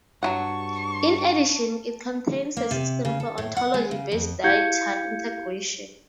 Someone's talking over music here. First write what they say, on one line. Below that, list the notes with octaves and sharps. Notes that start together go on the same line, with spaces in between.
In addition it contains a system for Ontology-based data integration.
G2 F#3 F4 F#5 A5 C#6
A#3
C3
C#3
A4
A2
F#5
G#3
C#3
F2
E4 G4 F5 G6 G#6 C#7